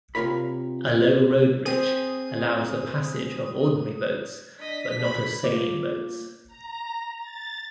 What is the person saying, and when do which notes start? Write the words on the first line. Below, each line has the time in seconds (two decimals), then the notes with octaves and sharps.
A low road bridge allows the passage of ordinary boats but not of sailing-boats.
0.15 C3 F4 A#4 C#5 B5
1.66 C4 G#4 D#6
4.60 D4 D#5 B6
5.02 B5
5.43 A#3 F4 D6
6.47 A#5
7.17 A6